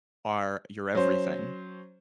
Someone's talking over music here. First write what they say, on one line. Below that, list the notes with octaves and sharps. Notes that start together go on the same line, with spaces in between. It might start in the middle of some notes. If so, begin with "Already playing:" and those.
are your everything.
F#3 C#4 C5